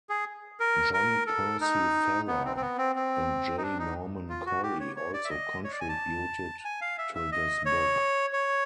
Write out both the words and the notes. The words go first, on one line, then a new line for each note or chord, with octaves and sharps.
John Percy Farrar and J. Norman Collie also contributed to this book.
G#4
A#4
A#4
A4
D#4
B3
C4
C4
B3
C4
C4
D#4
D4
D#4
F4
F#4
G4
C#5
C#5
D5
E5
D#5
C#5
D5
G#5
A5
G#5
F5
E5
E5
D#5
C#5
C#5